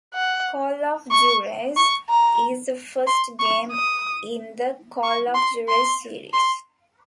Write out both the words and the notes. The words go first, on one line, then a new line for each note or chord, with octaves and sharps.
"Call of Juarez" is the first game in the "Call of Juarez" series.
F#5
C#6
C#6
A#5
C6
C#6
D#6
C#6
C6
C6
C6